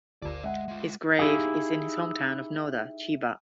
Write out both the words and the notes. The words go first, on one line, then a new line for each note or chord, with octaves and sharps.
His grave is in his home town of Noda, Chiba.
G1 D2 A#4 D5
G#3 E5 F#5
G#3 F4
D#4 E4 G4 G#4 F5